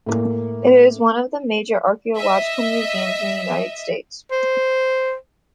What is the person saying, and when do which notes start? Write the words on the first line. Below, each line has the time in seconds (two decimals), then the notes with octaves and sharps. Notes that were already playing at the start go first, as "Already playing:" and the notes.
It is one of the major archaeological museums in the United States.
0.06 A2 A#3
2.17 D#5 E5
4.31 C5